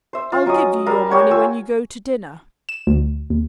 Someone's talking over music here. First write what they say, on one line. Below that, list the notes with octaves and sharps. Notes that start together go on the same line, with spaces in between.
I'll give you your money when you go to dinner.
C5 E5
F4 F5
F#3 C#4 D#5 D#6
G3 A#4 F5 E6
G4 C#5 F#5
F4 G#5 E6
E7
D2
D#2